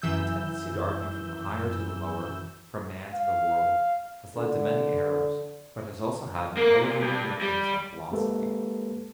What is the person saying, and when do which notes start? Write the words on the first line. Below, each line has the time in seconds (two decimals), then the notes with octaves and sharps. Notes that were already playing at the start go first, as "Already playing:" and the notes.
The tendency to argue from the higher to the lower, from man to the world, has led to many errors, but has also had an elevating influence on philosophy.
0.02 F#2 E3 E6 G6
3.13 F5
4.36 D3
6.57 A#3 A#4
6.82 A#2
7.01 G2
7.42 G3
8.11 G#3 A#3 G4 A4 B4